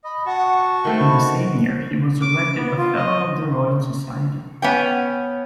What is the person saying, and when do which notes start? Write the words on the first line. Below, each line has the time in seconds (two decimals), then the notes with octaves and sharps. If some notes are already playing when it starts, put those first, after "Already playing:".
In the same year he was elected a Fellow of the Royal Society.
0.04 D#5 B5
0.26 F#4 F#5 A5 C#6
0.85 D#3 A3 C4 G5
0.98 B5
1.20 D#5
2.22 D6
2.57 B3
2.78 F4
2.96 D#5
4.62 B3 C#4 G5